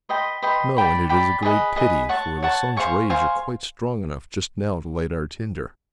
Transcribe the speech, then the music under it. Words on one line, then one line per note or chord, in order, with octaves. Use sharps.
"No, and it is a great pity, for the sun's rays are quite strong enough just now to light our tinder."
B4 D#5 G5 C6
B4 D#5 G5 C6
D5 G5 B5
D5 G5 B5
G#4 B4 D#5
G#4 B4 D#5
C#5 F#5 A5 C#6
C#5 F#5 A5 C#6
C5 F5 G#5 C#6
C5 F5 G#5 C#6